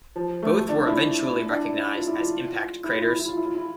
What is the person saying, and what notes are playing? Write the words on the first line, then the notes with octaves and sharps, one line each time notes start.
Both were eventually recognized as impact craters.
F3
A3
D4
E4
E4
D4
E4
F4
E4
F4
E4
F4
E4
F4
E4
F4
E4
F4
E4